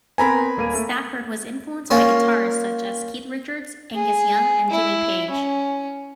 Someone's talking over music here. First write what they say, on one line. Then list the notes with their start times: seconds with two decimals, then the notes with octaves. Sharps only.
Stafford was influenced by guitarists such as Keith Richards, Angus Young and Jimmy Page.
0.18 B3 C4 A#4 G#5 A#5 B5
0.57 D#1 A#3 D#7
0.73 A3 A#3
1.90 A#3 C#4 F4
3.95 G#4
4.70 E4
5.30 C#4